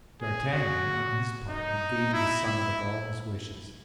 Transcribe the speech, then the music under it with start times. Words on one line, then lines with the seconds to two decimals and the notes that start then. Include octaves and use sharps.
D'Artagnan, on his part, had gained the summit of all his wishes.
0.22 G#4
0.53 F#4
1.50 D#4
2.13 E4
2.46 E4